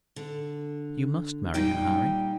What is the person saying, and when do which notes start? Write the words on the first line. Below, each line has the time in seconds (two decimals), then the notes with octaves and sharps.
"You must marry her, Harry."
0.16 D3
1.54 A#2 G3 D#4 G5